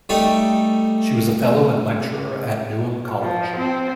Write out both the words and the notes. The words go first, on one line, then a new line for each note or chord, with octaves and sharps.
She was a Fellow and lecturer at Newnham College.
G3 A3 D#4
F3
C4